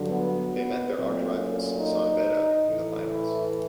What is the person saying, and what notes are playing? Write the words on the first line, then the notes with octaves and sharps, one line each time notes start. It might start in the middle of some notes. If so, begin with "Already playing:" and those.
They met their archrivals, San Beda in the finals.
Already playing: G2 D3 F#3
B3
B3
A#2 F#3 A3 C4
C#4
D#4
A2 E3 A3
E4